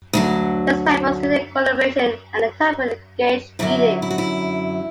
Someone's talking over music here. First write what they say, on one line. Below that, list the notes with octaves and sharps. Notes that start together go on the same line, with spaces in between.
There is time for student collaboration and a time for engaged reading.
D2 D3 F#3
F#2 D3 F#3 E4
E4
F#4
E4